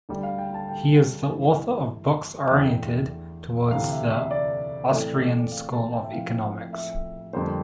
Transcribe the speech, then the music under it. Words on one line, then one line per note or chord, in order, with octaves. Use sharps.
He is the author of books oriented towards the Austrian school of economics.
D2 D3 G3
F5
G5
A5
G5
G2 E3 A3 E4
E2 E3 A3 D4 G5
D2 C3 E3 F5
E5
E5
D5
A2 E3 A3 C4
F5
A5
G5
E5
A2 F3 C4 E4 F5
E5
F2 D3 G3 A#3 C5